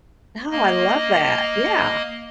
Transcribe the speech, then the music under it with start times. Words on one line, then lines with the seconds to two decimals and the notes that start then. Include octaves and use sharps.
Oh, I love that, yeah.
0.51 A#3 D#5